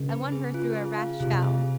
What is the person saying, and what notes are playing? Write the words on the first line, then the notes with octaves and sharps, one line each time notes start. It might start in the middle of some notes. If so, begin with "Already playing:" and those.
I won her through a rash vow.
Already playing: C#3
B4
G#4
F4
G#4
F5
C3 F4
G#4